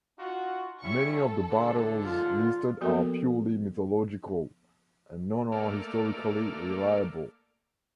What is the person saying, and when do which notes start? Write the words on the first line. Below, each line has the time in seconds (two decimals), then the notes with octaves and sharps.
Many of the battles listed are purely mythological, and none are historically reliable.
0.18 D#4 F4 F#4
0.82 G3 C#4 E4 C#6
1.16 A4
1.49 G#2 D3
2.01 F4
2.81 F3 A#3 B3 F#4 A4 A#4
5.52 A3 A#3 D5 F6